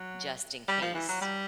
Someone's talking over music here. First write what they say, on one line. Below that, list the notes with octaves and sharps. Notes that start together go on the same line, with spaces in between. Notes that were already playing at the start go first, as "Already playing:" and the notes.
just in case
Already playing: F#3
G3
F3
E3
F#3
G3